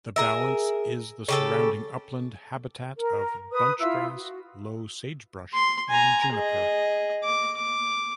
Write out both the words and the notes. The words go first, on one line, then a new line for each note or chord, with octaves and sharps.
The balance is the surrounding upland habitat of bunchgrass, low sagebrush, and juniper.
G#4 A#4 E5
C#3 G4 A4
A#4
B4 D#6
E4 F4 E5 E6
F#4
C6
G#5 A#5
G#4 D#5
D6
D6